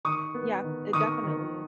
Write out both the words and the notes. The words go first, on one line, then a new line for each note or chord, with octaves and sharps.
Yeah. It definitely is.
D#3 C#6 D#6
B3
D#3
D#3 C#6 D#6
D#3